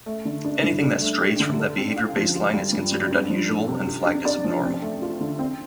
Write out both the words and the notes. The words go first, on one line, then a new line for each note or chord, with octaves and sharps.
Anything that strays from that behavior baseline is considered unusual and flagged as abnormal.
A3
D3
D4
G2
D4
A3
G4
D3
A4
C4
F5
F3
F4
G3
G2
G2
D4
F3
A4
C3
G4
D4
D5
F3
C4
A3
F4
D3
C4